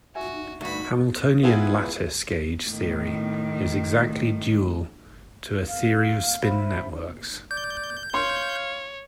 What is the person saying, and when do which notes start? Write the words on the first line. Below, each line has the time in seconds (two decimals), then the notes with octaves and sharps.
Hamiltonian lattice gauge theory is exactly dual to a theory of spin networks.
0.15 F#4 E5 G#5
0.61 D2 G2 F#4 B5
1.43 B3 E4 F4 G#4 B4
2.67 A2 D#3
5.67 F5
6.42 C5 E5 B5
7.51 D5 G6
8.14 C#5 F5 C6